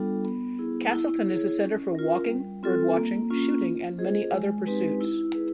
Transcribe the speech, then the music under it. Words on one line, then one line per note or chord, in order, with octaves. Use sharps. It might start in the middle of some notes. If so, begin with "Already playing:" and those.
Castleton is a centre for walking, birdwatching, shooting and many other pursuits.
Already playing: G3 B3 D4 F4 A4
B3
E4 G#4
E4
G#4 C#5
C#4
F4 A#4
G3
C4 F4 A4
A#3
C#4 F4
F4
G#4 C5 D#5
G#3
C4 D#4 G4 B4
E4
G#4 B4